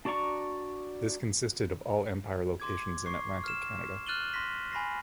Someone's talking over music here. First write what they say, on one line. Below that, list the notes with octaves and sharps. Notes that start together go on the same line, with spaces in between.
This consisted of all Empire locations in Atlantic Canada.
D4 F#4 D5 A#5 C#6
C6 D6 G#6
C#6 C7
F6 E7
F6 F#6 A6 D#7 F#7 G7
C6 A#6 B6
G#5 B5 C6 A#6 C7